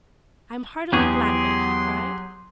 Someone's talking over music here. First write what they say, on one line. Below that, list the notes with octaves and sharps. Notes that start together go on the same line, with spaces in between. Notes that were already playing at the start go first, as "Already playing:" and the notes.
"I am heartily glad of it," he cried.
E2 F#3 G4 G#4 C6 C#6